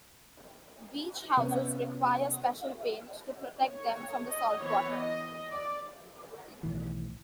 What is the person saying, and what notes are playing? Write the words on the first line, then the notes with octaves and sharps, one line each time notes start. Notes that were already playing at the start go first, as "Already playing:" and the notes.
Beach houses require special paint to protect them from the salt water.
C3 B3 C#4
C#5
D#5
E3 B3 C#5
D#5
D5
B1 A2 D#3 E3